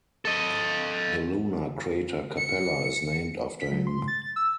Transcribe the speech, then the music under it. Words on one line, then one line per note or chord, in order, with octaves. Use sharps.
The lunar crater Capella is named after him.
A4 D#5
C#7
B6
F#3
C6
A6
E6